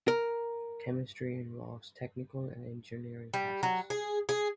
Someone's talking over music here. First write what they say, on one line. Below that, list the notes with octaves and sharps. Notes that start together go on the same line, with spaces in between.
Chemistry involves technical and engineering classes.
A#4
G3
F#3
G#4
G#4